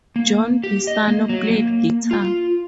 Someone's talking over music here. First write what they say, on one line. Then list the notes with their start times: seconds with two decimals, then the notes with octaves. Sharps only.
John Pisano played guitar.
0.16 A#3
0.64 G4
0.87 D#5
1.08 A#3
1.29 F#3
1.50 A#3
2.11 F4